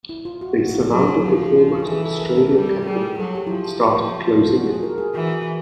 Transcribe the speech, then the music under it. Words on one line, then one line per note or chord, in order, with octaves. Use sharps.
They surrounded the foremost Australian Company and started closing in.
E4
F4
F#4
F4
F#4
A4
F#3 G#4
F#4
F3 G4
G#4
G#4
E3 A4
A4
A#4
A4
G3 A4
G3 G#4
F#3 A4
G4
E4
F3 F4
E4
F4
F#4
G#4
A#4
G#4
E3 F#4